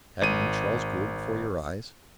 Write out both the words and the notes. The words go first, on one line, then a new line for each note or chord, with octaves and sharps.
Hadn't you Charles Gould before your eyes?
G#1 D#7